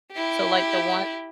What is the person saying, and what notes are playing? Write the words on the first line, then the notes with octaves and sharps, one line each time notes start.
so like the one
E4 G4